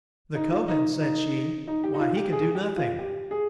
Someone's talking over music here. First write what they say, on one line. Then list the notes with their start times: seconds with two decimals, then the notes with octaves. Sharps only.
"The Kohen," said she; "why, he can do nothing."
0.35 D#4
0.51 F4
0.68 D#4
1.01 D#4
1.67 D#4
1.84 G4
1.94 D#4
1.99 F4
2.16 G4
2.32 G#4
2.55 G4
2.77 F4
2.99 G4
3.31 G#4